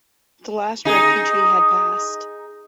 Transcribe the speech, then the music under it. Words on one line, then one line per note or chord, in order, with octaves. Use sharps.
The last refugee had passed.
D#4 G#4